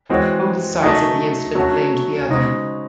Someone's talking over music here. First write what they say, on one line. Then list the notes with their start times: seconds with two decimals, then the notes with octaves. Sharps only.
Both sides of the incident blamed the other.
0.09 E3 G#3 C4 F#4 C#5
0.83 F#3 A3 D#4 G#4
1.55 F#3 A3 C#4 F#4
2.29 C#3 G#3 D#4 F#4 C5